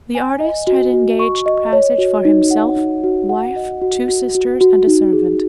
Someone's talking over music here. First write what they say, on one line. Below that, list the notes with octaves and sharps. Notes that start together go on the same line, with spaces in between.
The artist had engaged passage for himself, wife, two sisters and a servant.
G#5
D#5
F#4
F#4
C#6
D#5
C#5
F#4
D#4
F#5
D#4
F#4
F#5
D#5
F#4
F#4
F#4
F#4
D#4
G#4